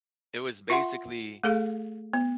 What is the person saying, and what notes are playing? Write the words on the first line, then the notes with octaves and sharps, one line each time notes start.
it was basically
F4 E5 F#5 C6
A3 G#4 A4 F5
B3